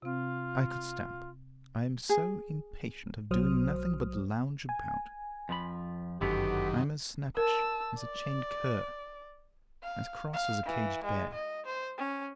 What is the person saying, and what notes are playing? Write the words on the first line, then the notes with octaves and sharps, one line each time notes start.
I could stamp, I am so impatient of doing nothing but lounge about; I am as snappish as a chained cur, as cross as a caged bear.
C3 C4 F4
G#4
B1 F#3 C5 D#6 F6
G#5
F2 F3 B5
G1 F#2 D3 D#3 B3 C#4 G4
A#4 A5 E6
D5
F5
F5
E3
G#3
D#5
C5
C#4